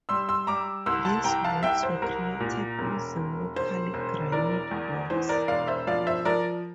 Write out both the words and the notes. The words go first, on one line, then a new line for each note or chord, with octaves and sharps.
These walls were created using local granite blocks.
G3 C6 E6
C6 E6
G3 A#5 D6
C2 C6 E6
A5 C6
C2 G5 A#5
F5 A5
C2 E5 G5
C5
C2 A#4
A#2
E1
E1
E1 C5
E1
E3 A#4 D5
E2
E3 C5
A#4 D5
E1 D5 F5
C5 E5
F3 D5 F5
C5 E5
F3 A#4 D5